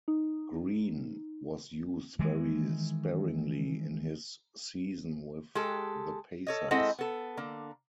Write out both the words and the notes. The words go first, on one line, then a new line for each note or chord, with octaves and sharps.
Greene was used very sparingly in his season with the Pacers.
D#4
D#3 E3 G#3
G#3 G4 A4
A4 C#5 D#5
G#3 C4 E4 A4 D#5 F#5
B3 A4
D3 A#3